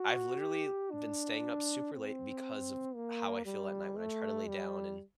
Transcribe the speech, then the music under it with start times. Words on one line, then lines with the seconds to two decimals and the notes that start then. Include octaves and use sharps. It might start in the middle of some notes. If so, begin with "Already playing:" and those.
I've literally been staying up super late because of how I feel at night when I try to lay down, and
Already playing: F#4
0.39 G4
0.91 D4
1.94 C4
2.95 A#3
3.46 G3
3.98 A3
4.48 G3